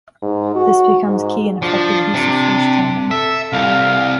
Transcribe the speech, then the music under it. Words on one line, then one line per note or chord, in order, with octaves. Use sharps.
This becomes key in effective use-of-force training.
G#2
F#4
G#2
F3 D4
C3
A4 E5
C2 F5